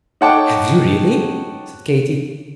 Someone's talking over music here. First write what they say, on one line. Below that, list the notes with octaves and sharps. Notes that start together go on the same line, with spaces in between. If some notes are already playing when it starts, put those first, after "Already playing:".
"Have you, really?" said Katy.
D#4 C#5 F#5 G5 A5 D6